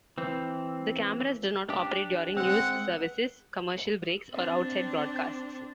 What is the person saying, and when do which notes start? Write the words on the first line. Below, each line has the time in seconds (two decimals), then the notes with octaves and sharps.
The cameras do not operate during news services, commercial breaks, or outside broadcasts.
0.18 E3 C4
1.69 D4 G4
2.37 G#3 C4 F#5
4.33 C4 D4